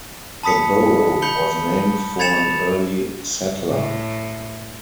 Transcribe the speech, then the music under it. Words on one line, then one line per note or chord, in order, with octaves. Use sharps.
The borough was named for an early settler.
A5 B5 D#6 B6 C#7
B5 G6 C#7 G7
B5 G#6 A6 C#7 E7 F7
A2